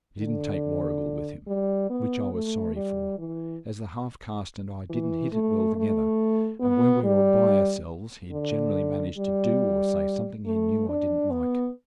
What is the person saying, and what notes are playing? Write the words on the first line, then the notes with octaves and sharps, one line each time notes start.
He didn't take Warrigal with him, which I was sorry for, as the half-caste and I didn't hit it well together, and when we were by ourselves he generally managed to do or say something he knew I didn't like.
D3
G3
B3
A3
G3
E3
E3
A3
A3
B3
G3
D3
G3
A3
D4
B3